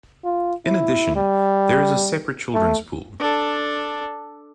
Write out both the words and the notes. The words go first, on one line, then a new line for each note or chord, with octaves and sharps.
In addition, there is a separate children's pool.
F4
E4
G3
A3
D4 A4